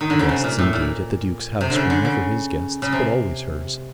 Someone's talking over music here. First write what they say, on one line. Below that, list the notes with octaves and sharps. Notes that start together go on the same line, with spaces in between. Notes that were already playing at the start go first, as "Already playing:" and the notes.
The guests, indeed, at the Duke's house were never his guests, but always hers.
D#3
D3
C#3
C3
A#2
A2
A#2
C3
D3
C#3
D3
C#3
C#3
C3